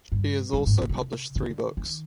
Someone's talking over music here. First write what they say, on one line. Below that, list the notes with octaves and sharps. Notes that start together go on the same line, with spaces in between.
She has also published three books.
G2
G2
G#2
A#2
D3
C3
D3
D#3